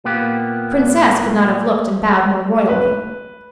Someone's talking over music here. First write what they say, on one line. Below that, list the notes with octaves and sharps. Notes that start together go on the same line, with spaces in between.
A princess could not have looked and bowed more royally.
A#2 A#3 B3 G4
B4